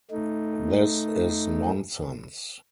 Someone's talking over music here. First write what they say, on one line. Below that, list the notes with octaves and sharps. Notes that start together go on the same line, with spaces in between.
This is nonsense.
A3 D#4